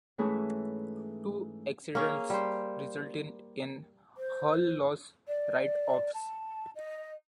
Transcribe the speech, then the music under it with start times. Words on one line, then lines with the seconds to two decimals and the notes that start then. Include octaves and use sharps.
Two accidents resulted in hull loss write-offs.
0.18 G#2 E3 A3 C#4 E4 G#4
1.95 A#3 C#4 G#4
2.30 G3 C5
4.17 C5
5.28 D5
6.14 A5
6.75 D#5